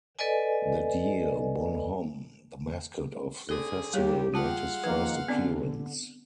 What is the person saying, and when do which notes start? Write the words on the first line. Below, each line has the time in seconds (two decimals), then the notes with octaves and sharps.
That year "Bonhomme", the mascot of the festival, made his first appearance.
0.19 A4 B4 D5 D#5 G#5
3.49 D3 C4 G#4 A4
3.94 D#2 G3 G4 G#4 C#5
4.34 G#3 F4 F5 F#5 A5
4.84 D#3 F3 A#3 B4
5.28 D3 B3 C4 D5